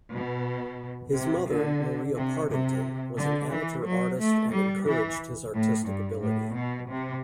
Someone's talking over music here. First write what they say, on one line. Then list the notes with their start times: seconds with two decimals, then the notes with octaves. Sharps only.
His mother, Maria Partington, was an amateur artist and encouraged his artistic ability.
0.14 B2
1.16 C3
1.50 D3
2.17 C3
2.51 C3
3.19 D3
3.53 E3
3.87 F#3
4.21 A3
4.54 G3
4.87 E3
5.56 A2
5.90 G2
6.24 A2
6.58 B2
6.91 C3